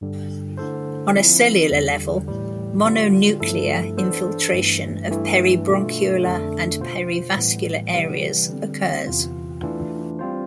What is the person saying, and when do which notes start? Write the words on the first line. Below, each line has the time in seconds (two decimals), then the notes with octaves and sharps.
On a cellular level, mononuclear infiltration of peribronchiolar and perivascular areas occurs.
0.01 G2 D3 G3
0.57 D3 A3 E4 A4 C5
1.14 F3 C4 E4
1.71 E2 D3 G3
2.28 A2 E3 G3
2.85 D3 G3 B3 F4
3.40 G2 F3 A3 E4 A4
3.97 E3 B3 D4 A4 C5
4.54 G2 E3 A3
5.10 G2 E3 A3 E4 A4
5.67 B2 A3 D4 F4
6.23 F2 D3 A3 D4 A4
6.80 B2 B3 F4 C5
7.37 A2 E3 G3 B3
7.93 C3 E3 G3 B3
8.50 D3 G3 C4
9.07 E2 C3 E3 B3 F4
9.63 E3 A3 D4 F4
10.19 G3 C4 F4 C5